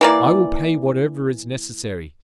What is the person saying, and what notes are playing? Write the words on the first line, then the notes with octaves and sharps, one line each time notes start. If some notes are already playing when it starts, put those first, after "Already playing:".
I will pay whatever is necessary.
E3 A#3 D5